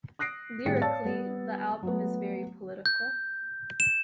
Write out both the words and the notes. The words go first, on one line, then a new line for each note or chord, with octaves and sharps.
Lyrically, the album is very political.
D#6 F#6 A#6 C7 D7
G#1 A2 G3 G#4 G5 C#7
C#5 D5 F5 A5 E6 A6
G3 B3 G4
F#3 A3 B3
G6
E7